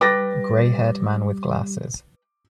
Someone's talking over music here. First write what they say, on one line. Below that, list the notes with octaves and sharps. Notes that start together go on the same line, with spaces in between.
Grayhaired man with glasses.
G3 B4 G5 D6 A6 A#6